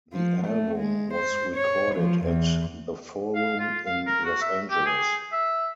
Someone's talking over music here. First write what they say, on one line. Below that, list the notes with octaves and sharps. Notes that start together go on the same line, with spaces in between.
The album was recorded at The Forum in Los Angeles.
F3
A3
G#3
C5
C#5
F3
E2
F5
F4
F5
A#4
F#4
E5
G4
G#4
E5